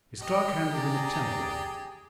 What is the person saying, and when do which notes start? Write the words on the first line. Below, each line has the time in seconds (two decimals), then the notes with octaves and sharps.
His clerk handed him a telegram.
0.21 G4 D#5
0.74 G#4 D5 A#5